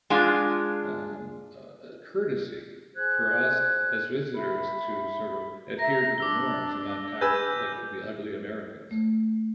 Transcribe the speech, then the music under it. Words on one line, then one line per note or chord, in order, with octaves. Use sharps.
um, uh, a courtesy for us as visitors to sort of adhere to the norms and not act like, the ugly Americans.
G#3 D4 F4
G#4 C5 F#6 G#6
E5 B5
E5 A#5 A#6
D4 D6 E6 G7
B4 G#5 E6 G6
A3